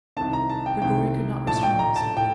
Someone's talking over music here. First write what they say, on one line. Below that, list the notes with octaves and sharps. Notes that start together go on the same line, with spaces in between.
Grigory could not restrain himself.
C2 C3 D#3 A5
A#5
A5
G5
C2 C3 D#3 G5
A#1 A2 A5
G5
A#5
A5
A2 G5